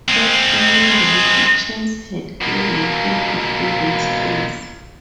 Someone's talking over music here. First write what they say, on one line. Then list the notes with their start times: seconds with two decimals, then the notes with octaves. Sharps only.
At any rate chance had given him a breathing space.
0.08 G#3 C4
2.41 B2 A#3